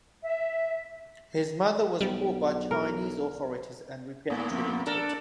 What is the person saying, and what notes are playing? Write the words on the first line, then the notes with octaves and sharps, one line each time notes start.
His mother was caught by Chinese authorities and repatriated.
E5
B1 G3
A#4
G#2 A#3 B3
F2
D4 A4 A#4 D5